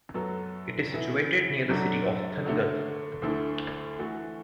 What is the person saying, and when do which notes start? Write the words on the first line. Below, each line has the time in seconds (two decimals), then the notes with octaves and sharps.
It is situated near the city of Thangadh.
0.14 F#2 F#3 B3 F#4 A4
0.92 E3 B3 E4 A4
1.69 F#2 F#3 D4 F#4 A4
2.46 D3 A3 F#4 A4
3.22 D2 D3 A3 E4 A4
3.99 E3 A3 F#4 A4